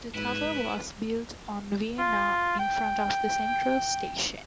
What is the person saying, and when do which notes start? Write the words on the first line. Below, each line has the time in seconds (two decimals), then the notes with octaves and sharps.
The tower was built on Weena in front of the Central station.
0.14 G#2 E4 B4
1.98 F4
2.59 G5